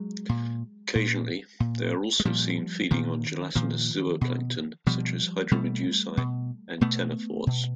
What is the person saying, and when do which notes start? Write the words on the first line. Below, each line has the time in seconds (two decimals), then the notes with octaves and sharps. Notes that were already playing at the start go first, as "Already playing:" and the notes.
Occasionally, they are also seen feeding on gelatinous zooplankton such as hydromedusae and ctenophores.
Already playing: F#3 G#3
0.29 A#2
0.95 A#2
1.60 A#2
2.20 G#3
2.25 A#2 F3 G3
2.91 A#2 D#3
3.55 A#2 D#3 F3
4.21 B2
4.86 B2 F3 G3
5.51 B2 G3 A3
6.17 B2
6.81 B2 A3 B3
7.47 B2